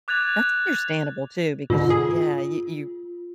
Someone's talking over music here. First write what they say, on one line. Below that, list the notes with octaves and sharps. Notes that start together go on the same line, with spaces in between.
That's understandable, too, because, yeah, you you
D6 F#6 G#6 A6 F7
G#2 B2 D3 F4
G#4